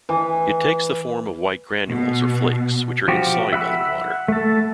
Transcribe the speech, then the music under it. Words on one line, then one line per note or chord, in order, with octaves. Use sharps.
It takes the form of white granules or flakes, which are insoluble in water.
E3
B2
F3 F#4 G4
E5 F#5 B5 E6
A3 A4